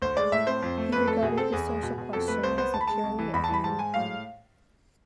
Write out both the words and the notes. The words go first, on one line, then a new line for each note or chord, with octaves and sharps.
He regarded the social question as a purely economic one.
D2 C5
G#3 D5
A2 E5
C4 C5
F2
A3
F2 B4
A3 A4
B2 G#4
C4 A4
E2 G#4
G#3
B2
B2
F2 A4
A3 B4
C2 C5
B3 C5
D2 A5
B5
G#3 A5
C2
E3
E2 B5
A5
E3 B5
G#2 A5
G#3 G#5
A2 F5